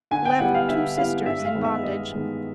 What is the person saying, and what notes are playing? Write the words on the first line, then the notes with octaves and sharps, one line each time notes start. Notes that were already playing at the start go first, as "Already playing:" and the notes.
Left two sisters in bondage.
D3 G#5
G5
G3 B3 E4 F#5
F5
D3 E5
G3 B3 E4 F5
G2 E5
F5
D#3 G#3 B3
E5
G2 D#5
D#3 G#3 B3